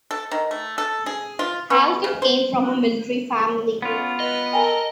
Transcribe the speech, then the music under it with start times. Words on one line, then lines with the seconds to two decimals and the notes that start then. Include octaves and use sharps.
Halkett came from a military family.
0.11 A4
0.31 D#3
0.51 A3
0.78 A4
1.06 G#4
1.39 F4
1.70 B3
2.04 C#3
2.22 C5
3.82 B3 C#4 F4
4.20 B4 D#5
4.53 A4 A#4 G5 G#5